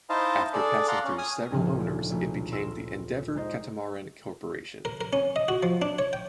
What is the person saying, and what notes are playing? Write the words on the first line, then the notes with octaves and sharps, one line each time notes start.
After passing through several owners it became the Endeavour Catamaran Corporation.
D#4 E4 C5 D#5 F5 A5
D4 G#4 A4 D5
D5 F5 F#5 A#5 C6
C#4
G#5 D#6 F6
G#1 D2 A#2 C#3 F3
A#1 B2 A3
C6 E6 A#6
G#3 D#4 C5 D#5
A#4
A#4
C#4
D#5
F#4
F3
D4
C#5
G5